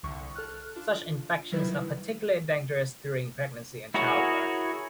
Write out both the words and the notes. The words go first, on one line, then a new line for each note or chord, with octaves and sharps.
Such infections are particularly dangerous during pregnancy and childbirth.
C2 D3 C#6
A4 F6 F#6
D4 F4
D#3 F#3 G3 E4 B4
E4 F#4 G#4 A#4 C#5